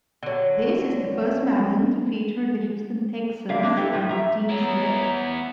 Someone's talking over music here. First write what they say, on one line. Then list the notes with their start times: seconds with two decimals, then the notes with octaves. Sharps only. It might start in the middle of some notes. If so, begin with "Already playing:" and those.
This is the first Madden to feature the Houston Texans in the team select.
0.23 D3 F#3
3.49 D3 A#3 D5 E5 F5
3.63 A#3 D4
3.77 E4 G4 A4 B4
3.93 A2 F3 G3
4.09 E5 A#5
4.49 B3 E4 C#5 A#5